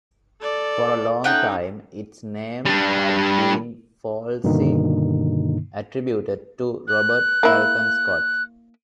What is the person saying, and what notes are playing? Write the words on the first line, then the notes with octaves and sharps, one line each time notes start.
For a long time, its name had been falsely attributed to Robert Falcon Scott.
A4 D5
A3 C#4 D#4 F#5 G5
G3 D4
G2 B2 D3 D#3 A#3 D#4
F#6
A#3 E4